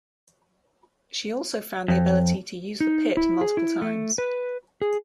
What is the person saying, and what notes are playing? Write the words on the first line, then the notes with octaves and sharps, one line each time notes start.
She also found the ability to use the pit multiple times.
F2
D#4
E4
G#4
E4
A3
B4
G#4